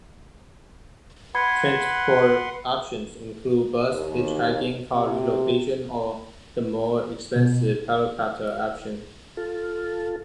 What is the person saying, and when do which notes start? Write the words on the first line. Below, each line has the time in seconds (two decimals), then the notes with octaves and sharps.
Transport options include bus, hitchhiking, car relocation or the more expensive helicopter option.
1.35 B4 F#5 B5 C6 G#6
3.92 D#2
4.95 C3
7.36 B2
9.37 F4 A4